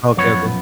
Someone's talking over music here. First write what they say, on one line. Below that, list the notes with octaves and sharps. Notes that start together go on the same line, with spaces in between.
Okay, okay.
F#2 F3 B3 C#5